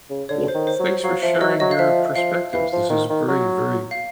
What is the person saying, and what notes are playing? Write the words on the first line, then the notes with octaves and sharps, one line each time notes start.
Well, thanks for sharing your perspectives, this is a very, very,
C#3
D3 C#5
C5
D#3
C5
F#3
C#5
F#3 F5
F3 E5
F#3 D#5
F#3 D#5
F5
F3 E5
F3 F5
E3 F5
F3
D#3
D#3
F#3
F5